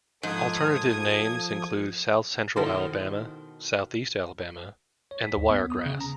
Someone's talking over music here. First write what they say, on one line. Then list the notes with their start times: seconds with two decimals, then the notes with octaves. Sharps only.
Alternative names include South Central Alabama, Southeast Alabama, and the Wiregrass.
0.23 G#2 F3 A4 D#6 G#6
2.56 B2 D#3 E4 A4 C5
5.11 C#5
5.23 B6
5.37 D#2
5.50 B3
5.70 D#6
5.86 C#3
6.01 A#5